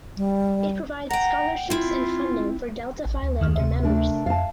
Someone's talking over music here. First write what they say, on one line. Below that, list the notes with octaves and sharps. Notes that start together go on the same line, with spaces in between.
It provides scholarships and funding for Delta Phi Lambda members.
G3
F#5 G5 A#5
C4 E4 F4
A1
D2
F2 D#3 F6
C3 E5
A3 D4 A#4
F2 F5 A5